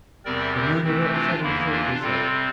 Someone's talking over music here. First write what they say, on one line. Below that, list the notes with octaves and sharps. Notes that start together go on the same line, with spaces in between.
The murderer sadly shook his head.
E2 C3 G3 C4 A#4 D5
G4 A#4
C3 E3 A3 C4
D4 F4
E2 E3 A#3 E4
D4 F4
C3 G3 C4 F4 A4